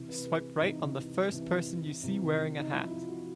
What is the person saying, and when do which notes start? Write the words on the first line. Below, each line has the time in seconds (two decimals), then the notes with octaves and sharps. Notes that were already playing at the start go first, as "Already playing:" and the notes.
Swipe right on the first person you see wearing a hat.
Already playing: C3 E3
0.09 B4
0.26 G#4
0.61 C3 E3 D#4
1.31 C3 E3
2.03 C3 E3
2.59 D#4
2.73 C3 F3 E4
2.91 F4
3.08 F#4